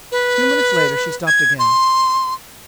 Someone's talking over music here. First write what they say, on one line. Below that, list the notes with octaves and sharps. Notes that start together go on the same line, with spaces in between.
A few minutes later she stopped again.
B4
G#6
C6